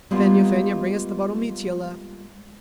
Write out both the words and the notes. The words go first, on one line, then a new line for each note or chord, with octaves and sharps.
Fenya, Fenya, bring us the bottle Mitya left!
G3 G#3 A#3 B3 F4